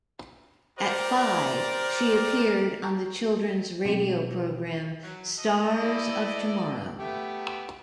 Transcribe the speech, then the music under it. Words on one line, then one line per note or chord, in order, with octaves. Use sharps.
At five, she appeared on the children's radio program "Stars of Tomorrow".
G4 A#4 C5 D5
A5 A#5 C#6
B2 F#3 C4 G4 D#5
F#3
A4 D#5
E4 B4 D5
A3 B3 G4